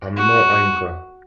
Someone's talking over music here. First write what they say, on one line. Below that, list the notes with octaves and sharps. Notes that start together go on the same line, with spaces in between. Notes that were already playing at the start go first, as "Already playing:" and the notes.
I'm no oinker.
F#4